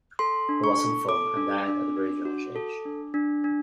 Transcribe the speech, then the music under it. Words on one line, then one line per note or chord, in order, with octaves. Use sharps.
He was infirm and died at a very young age.
A4 C6
D4
C#6
A4
A4 D6
D4
D4
D4
F#4
A4
D4
D4
D4